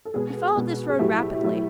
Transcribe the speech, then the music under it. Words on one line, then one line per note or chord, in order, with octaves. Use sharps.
He followed this road rapidly.
A4
B2 G#3 B3 G#4
B2 G#3 B3
G#4
A2 F#3 A3 G4
A2 F#3 A3